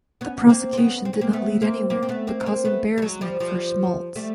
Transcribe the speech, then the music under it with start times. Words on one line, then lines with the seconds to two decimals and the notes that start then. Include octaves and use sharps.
The prosecution did not lead anywhere but caused embarrassment for Schmalz.
0.21 B3 C#4
0.50 A#3 C4
0.73 C4
0.77 B3 C#4
1.05 C4
1.13 C#4
1.21 A#3 C4
1.33 A3 B3
1.62 A#3 C4
1.90 A#3 C4
2.03 C4
2.09 A3 B3
2.27 A#3 C4
2.40 C#4
2.46 A#3 C4
2.65 A3 B3
2.98 G3
3.02 F#3 G#3
3.21 F3 G3
3.40 F3 G3
4.16 G3 A3